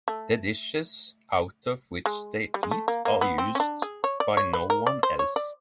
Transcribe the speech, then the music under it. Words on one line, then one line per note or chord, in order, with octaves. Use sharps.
The dishes out of which they eat are used by no one else.
A3
G#3
G3
G#3
A3
A#3
A#3
B3
C4
C#4
D4
G#4
C#5
D5
C#5
B4
A#4
D5
C5
C#5
D5